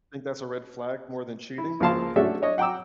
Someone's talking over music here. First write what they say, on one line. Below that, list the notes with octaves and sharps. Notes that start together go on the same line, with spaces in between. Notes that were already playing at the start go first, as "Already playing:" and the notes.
Think that's a red flag more than cheating?
E4
C#2 F3 A#3 F5 A5 C6
A3 C#4 D4 F#4 A4 E5
D4 C#5 D#5
F#5 G5 A#5 D6 E6